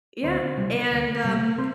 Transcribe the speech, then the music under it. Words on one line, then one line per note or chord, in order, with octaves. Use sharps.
Yeah, and, um,
D2 C4 C5
C3 G3
D2
C3 G3
C4 C5